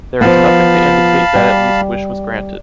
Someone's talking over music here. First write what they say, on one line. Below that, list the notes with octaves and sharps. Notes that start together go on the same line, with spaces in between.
There is nothing to indicate that at least wish was granted.
F3 B3 F5 A5 B5
G3